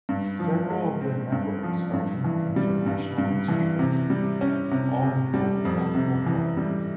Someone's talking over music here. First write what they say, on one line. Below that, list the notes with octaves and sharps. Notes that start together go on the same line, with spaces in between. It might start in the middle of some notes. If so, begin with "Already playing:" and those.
Several of the networks are linked to international research programs; all involved multiple partners.
G2
F3
G#3
C4
G2
F3
G2
E3
G3
G2
G2
E3
C3
G3
C#4
C3
C3
G3
F2
C3
E3
G3